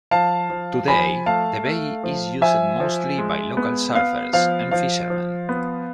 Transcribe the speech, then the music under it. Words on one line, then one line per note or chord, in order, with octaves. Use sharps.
Today, the bay is used mostly by local surfers and fisherman.
F3 F5 A5
F3
F3 G#5 B5
A3 F5 A5
A3
F3
F3 E5 G#5
F3
G#3
B3
B3 F5
F3 F5
F3 F5
F3
B3